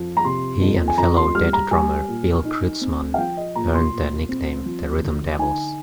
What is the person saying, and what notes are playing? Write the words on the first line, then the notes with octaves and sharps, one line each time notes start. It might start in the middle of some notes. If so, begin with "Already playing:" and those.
He and fellow Dead drummer Bill Kreutzmann earned the nickname "the rhythm devils".
Already playing: F2 F3
A#5
C3 C6
F2
G#5
F2 A#5
C6
G3 F6
A#5
G3 G#5
A#2
D#4
C4
F5
F3 G5
D#5
A#2 A#5
C6
A#2
C4
F3
D3
D#4 G#5